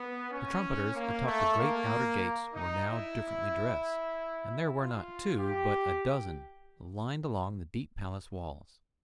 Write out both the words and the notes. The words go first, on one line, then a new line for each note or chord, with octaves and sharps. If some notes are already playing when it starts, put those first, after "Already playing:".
The trumpeters atop the great outer gates were now differently dressed, and there were not two but a dozen lined along the deep palace walls.
Already playing: B3
C#4
A#3
A3
A#3
D#4
E4
F4
G4